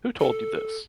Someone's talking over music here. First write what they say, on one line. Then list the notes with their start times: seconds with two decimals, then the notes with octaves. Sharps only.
Who told you this?
0.20 A4